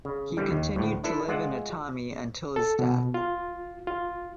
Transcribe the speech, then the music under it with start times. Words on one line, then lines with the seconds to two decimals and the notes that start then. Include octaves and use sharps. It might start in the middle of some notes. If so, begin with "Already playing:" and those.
He continued to live in Atami until his death.
0.05 C#3
0.37 D3 E3 G3
0.51 D#2
0.76 D2 A2
1.04 D4 E4 A4 B4
1.28 G#3 F4 D5 E5 F#5
2.56 A4
2.79 B2
3.14 F4
3.87 F4